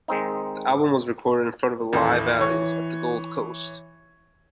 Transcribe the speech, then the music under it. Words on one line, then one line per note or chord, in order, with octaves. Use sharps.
The album was recorded in front of a live audience at the Gold Coast.
D#3 G#3 C4 D#4
A1 D#2 A2
E3 C#5